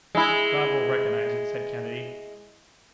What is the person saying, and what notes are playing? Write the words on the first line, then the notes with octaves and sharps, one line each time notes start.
"God will recognize it!" said Kennedy.
G#3 E4